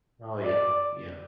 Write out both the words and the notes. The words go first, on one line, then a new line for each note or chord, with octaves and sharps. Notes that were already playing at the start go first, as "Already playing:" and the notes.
Oh, yeah. Yeah.
D5